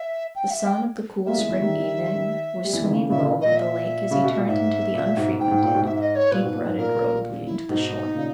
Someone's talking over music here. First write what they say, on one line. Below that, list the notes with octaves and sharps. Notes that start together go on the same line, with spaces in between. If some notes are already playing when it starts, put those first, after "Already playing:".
The sun of the cool spring evening was swinging low over the lake as he turned into the unfrequented, deep-rutted road leading to the shore.
Already playing: E5
G5
E5
G5
G3 A#3 E5
E3 G#3
E3 G#3
D#3 G3
G3
E3
D#3
C#3 E3
A#2 C#3 E5
A#2 C#3
A#2 D#5
E5
C#3
B2
A#2
G#2 E5
A#2
G#2 B2
G#2 G5
G#2
A#2
G#2 B2
G#2 E5
E5
D#5
C#5
A#2 B4
G#2 B2
A#2
G#2
A#2 A#4
E4
G#2 B2 D#4
A#2 C#3